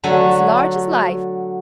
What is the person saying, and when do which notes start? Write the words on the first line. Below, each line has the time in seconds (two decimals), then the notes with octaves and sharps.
"As large as life."
0.03 D3 F#3 A3 A4 G#5